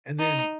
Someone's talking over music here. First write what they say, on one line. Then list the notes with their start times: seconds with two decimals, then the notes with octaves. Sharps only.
And then
0.19 D#4